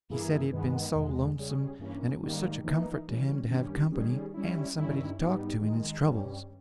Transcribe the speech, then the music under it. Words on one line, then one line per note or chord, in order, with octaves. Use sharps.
He said he had been so lonesome, and it was such a comfort to him to have company, and somebody to talk to in his troubles.
G2 E3 A#3 E4 G#4
G2 D#3 G#3 B3
E2 B2 G#3
C#3 G3 C#4 G#4
G2 E3 A#3 C#4
G#2 D#3 G3 A#3
E3 A#3 D#4
E3 G3 C#4
G2 D#3 G3 C#4 G4
D#3 G3 C#4 G#4
G3 C#4 E4
G2 D#3 G3 C#4 E4
G#2 G3 B3 D#4 G4
D#3 G#3 D#4
G2 G3 C#4